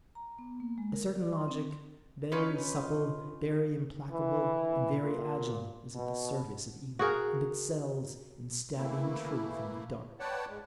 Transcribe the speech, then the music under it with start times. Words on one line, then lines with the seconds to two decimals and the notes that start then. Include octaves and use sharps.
A certain logic, very supple, very implacable, and very agile, is at the service of evil, and excels in stabbing truth in the dark.
0.15 A#5
0.39 B3
0.60 A#3
0.78 G#3
0.93 A#4
1.15 D5
1.33 C6
1.48 C4
2.32 C#4 D#4 F4 B4
4.11 E3
5.01 A#2
5.96 B2
6.99 F#4 G#4 A#4
8.77 E3 A3 A#3 E4
10.19 B4 C#5 D5 F#5 G5 A5
10.49 G#2 G#3